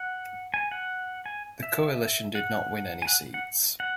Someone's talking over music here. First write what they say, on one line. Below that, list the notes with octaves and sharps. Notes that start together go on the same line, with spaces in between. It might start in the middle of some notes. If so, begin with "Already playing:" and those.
The coalition did not win any seats.
Already playing: F#5
G#5
F#5
G#5
E5
F#5
G#5
F#5
F#5
F#5